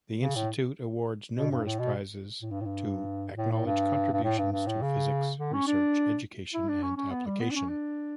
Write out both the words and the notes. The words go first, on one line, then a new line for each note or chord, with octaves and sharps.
The Institute awards numerous prizes to acknowledge contributions to physics research, education and application.
C#3
A2
B2
G2
A2
B2
A2
G2
A2
G2
A2
A2
G2
G2
A2
G2
G2
A2
C#3
D3
C#4
D4
E4
D4
C#4
C#4
B3
G3
B3
D4
C#4
D4